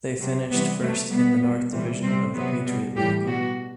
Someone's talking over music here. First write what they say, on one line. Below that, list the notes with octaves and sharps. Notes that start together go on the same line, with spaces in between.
They finished first in the north division of the Patriot League.
C3 F#3
C3 E3 G3 B3
C3 F#3 A3
B2 G3 B3
B2 G3
C3 E3 G3
C3 G3 C4
C3 F#3 B3
B2 G3
A2 E3 G3 G4
B2 G3 F#4